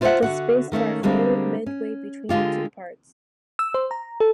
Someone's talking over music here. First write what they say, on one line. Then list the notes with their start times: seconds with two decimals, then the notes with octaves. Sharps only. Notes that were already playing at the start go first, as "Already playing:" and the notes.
The space bar floated midway between the two parts.
0.01 E4 F4 C5 C#5 E5 F#5
0.22 D3 F#4 F#5
0.72 D#3 A3 A#3 C#4
1.03 D3 G3 G#3 A#3 C4
1.66 C#4
2.29 D3 G#3 F4 G4
3.59 E6
3.74 C5
3.91 A#5
4.20 A4